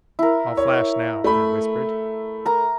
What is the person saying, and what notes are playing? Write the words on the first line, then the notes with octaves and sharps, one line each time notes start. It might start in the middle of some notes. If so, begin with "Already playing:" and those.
"I'll flash now," I whispered.
E4 A#4
C#5
A3 B5
A#4 A#5